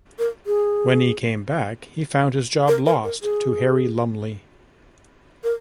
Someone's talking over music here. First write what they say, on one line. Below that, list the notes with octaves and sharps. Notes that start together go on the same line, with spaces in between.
When he came back he found his job lost to Harry Lumley.
A#4
G#4
A#4
A#4
A#4
G#4
A#4